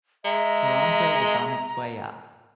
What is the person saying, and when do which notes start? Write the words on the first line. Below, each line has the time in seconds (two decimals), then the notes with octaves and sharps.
Toronto was on its way up.
0.25 G#3 E5 A#5